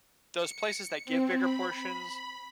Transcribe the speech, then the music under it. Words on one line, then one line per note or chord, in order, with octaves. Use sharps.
those places that give bigger portions,
C#7
C4
B5